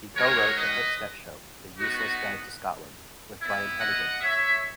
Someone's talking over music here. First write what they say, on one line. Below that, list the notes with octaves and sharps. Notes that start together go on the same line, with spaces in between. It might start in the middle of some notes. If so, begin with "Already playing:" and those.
He co-wrote the hit sketch show 'The Useless Guide to Scotland' with Brian Hennigan.
G#3 D#4 F#4 A#4 C#5
B4 D#5
B3 D#4 F#4
B3 E4
D#5 F#5
C#5 E5